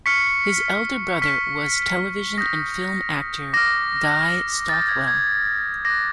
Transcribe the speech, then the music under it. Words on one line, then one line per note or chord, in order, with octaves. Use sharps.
His elder brother was television and film actor Guy Stockwell.
C#6 F6 B6 C#7
C#6 F6 B6
D#6 G6 A#6
D6 F6 A#6
D#6 G6 A6
G#6
G#6
D6 F#6 A#6